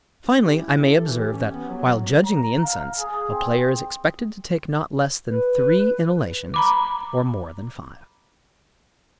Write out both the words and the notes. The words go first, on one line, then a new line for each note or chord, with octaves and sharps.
Finally I may observe that, while judging the incense, a player is expected to take not less than three inhalations, or more than five.
C#4
G4
E4
A4
E3
G4
C#4
B3
F#3
A#5
F5
G#4
C4
B4
A#5 B5 D6